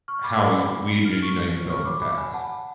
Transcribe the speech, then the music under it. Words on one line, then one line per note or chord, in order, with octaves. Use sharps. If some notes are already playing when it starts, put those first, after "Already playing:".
how y we knew you know, you felt in the past."
C#6 F6
B5 D6
G#4 D5 B5 D6
F6
C#6 F6
F#4 C#5 C#6 F6
B5 D6
B5 D6
G#5 B5
F#5 A5